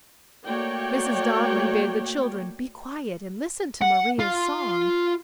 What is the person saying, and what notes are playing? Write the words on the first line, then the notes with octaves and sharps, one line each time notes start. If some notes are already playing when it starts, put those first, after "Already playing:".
Mrs. Donnelly bade the children be quiet and listen to Maria's song.
A3 A#3 F#4 C#5 D5 G5
F#5
F4